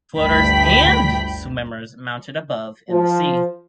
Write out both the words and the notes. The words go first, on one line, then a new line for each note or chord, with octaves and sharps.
Floaters and swimmers mounted above in the sea.
G1 D2 G5 B5 B6
F3